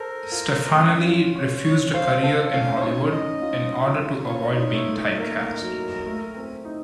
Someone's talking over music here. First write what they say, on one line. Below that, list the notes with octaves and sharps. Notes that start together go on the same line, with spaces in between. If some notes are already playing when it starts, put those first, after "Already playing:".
Stefanelli refused a career in Hollywood, in order to avoid being typecast.
Already playing: A4 A#4 C5
F4
C#4
F4
C#5
C#5
C5 F5
A4 F5
C#4 F5
D#4 C5
C#4 C#5
D#4 D#5
F4
F4
F4 C#5
D#4
A3
A3
A#3 A#4
F#3
A3
C4
D#4